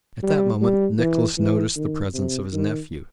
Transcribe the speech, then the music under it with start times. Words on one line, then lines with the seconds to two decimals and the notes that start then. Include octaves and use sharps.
At that moment Nicholas noticed the presence of his nephew.
0.23 G3
0.61 G3
0.99 E3
1.38 E3
1.76 D#3
2.14 C3
2.53 D#3